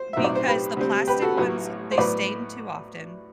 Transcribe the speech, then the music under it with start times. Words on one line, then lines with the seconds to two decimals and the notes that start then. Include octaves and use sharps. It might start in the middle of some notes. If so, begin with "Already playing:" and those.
Because the plastic ones, they stain too often.
Already playing: C5
0.13 B1 A2 F#3 C4 E5
0.24 D5
0.35 C5
0.46 G4 B4
0.77 D2 C3 G3 C4
1.07 G4 B4
1.22 F#4 A4
1.37 A1 A2 F#3 B3
1.91 C5
1.98 A2 F#3 B3 B4 D5